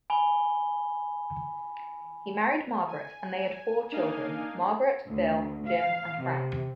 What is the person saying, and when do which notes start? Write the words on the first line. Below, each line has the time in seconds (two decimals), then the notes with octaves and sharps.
He married Margaret and they had four children Margaret, Bill, Jim and Frank.
0.10 G#5 B5 G7
2.88 G#5
3.91 A#3 D4 D#4 D#5 F5 G#5
5.07 D2
5.67 F5
6.20 C3